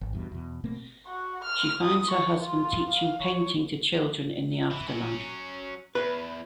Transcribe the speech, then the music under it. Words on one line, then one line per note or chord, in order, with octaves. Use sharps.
She finds her husband teaching painting to children in the afterlife.
G#1
E2 G2 B2
E2 B2
B2 A3 A#3 C4
F#4
F6
D#6
C#6
F4
F5
C#5
E3
F#3 C#4
E2 B4